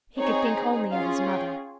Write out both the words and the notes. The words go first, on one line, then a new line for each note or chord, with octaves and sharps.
He could think only of his mother.
C4 D#4 G#4 C#5
C#4 F4 G#4 F5
G5